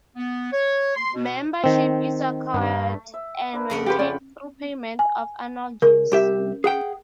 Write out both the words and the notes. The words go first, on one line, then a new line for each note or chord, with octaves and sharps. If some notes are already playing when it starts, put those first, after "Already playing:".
Membership is acquired and maintained through payment of annual dues.
B3
C#5
C6
B2
D#3 C4
G2
E5
D4 A#4 B4
F2 C#3 F#5
F4 G4 B4 G5 B5
C#4 D5
G#5
C#3 A#4
C2 G4 E5
G#4 F#5 G5